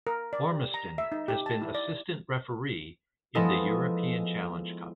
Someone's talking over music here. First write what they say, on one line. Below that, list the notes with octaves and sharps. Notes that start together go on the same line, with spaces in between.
Ormiston has been Assistant Referee in the European Challenge Cup.
A#4
D5
G4
A#5
E5
D#4
G4
A5
E4
D5
F3 G#3 B3 E4 A4 D#5